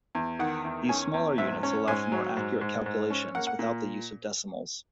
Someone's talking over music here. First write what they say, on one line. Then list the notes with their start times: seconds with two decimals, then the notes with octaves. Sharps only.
These smaller units allow for more accurate calculations without the use of decimals.
0.15 E2
0.39 D#3 F#5
0.65 E2
0.89 C#4 G#5
1.14 E2
1.38 G#2 E5
1.63 C#4
1.88 G#2 G#5
2.12 F#3
2.37 G#2
2.61 G#2
2.86 G#2
3.10 C#4
3.35 A#3 F#5
3.47 F#5
3.59 A#2